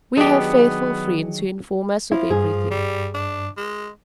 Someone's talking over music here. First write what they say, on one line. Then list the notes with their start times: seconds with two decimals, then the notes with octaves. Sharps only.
"We have faithful friends, who inform us of everything."
0.17 D#3 F#3 B3 D4 G4 G#4 D#5 D#6
2.12 F3 E4
2.30 G2 G#4
2.71 G3
3.14 D4
3.57 G#3